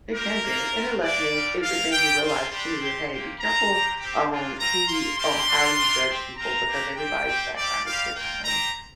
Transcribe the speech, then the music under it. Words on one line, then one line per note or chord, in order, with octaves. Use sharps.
It can be. And it led me t it it made me realize too, "Hey, be careful on who you on how you judge people because everybody's background is differently"
C4 G4 A#4
A#3 D4 F4
C4 F4
A#3 D4 G4 D5
G3 D4 F4
A#3 F4 F5
G3 C4 G4 G5
C4 F4 C6
G3 D4 G4
C4 G4
A#3 G4
C4 F4 A#5
C4 G4
C4 G4
A#3 D4 F4
C4 F4 A#5
A#3 F4 C6
G3 A#3 G4 C6
A#3 D4 F4
G3 D4 F4
C4 G4
C4 F4 A#5
A#3 D4 G4
C4 G4 G5
C4 G4
G3 C4 G4 D5
G3 C4 G4 F5
A#3 F4 G5
C4 G4 A#5